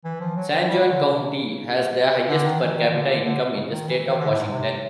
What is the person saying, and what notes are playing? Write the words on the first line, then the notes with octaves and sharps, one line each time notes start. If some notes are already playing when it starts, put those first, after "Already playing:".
San Juan county has the highest per capita income in the state of Washington.
E3
F3
F#3
F3
G3
G3
D3
C#3
C3
C3
C#3
D3
D#3
E3
D#3
D3
D3
D3
C#3
D#3
E3
E3
D#3
D3
A2
G#2
C3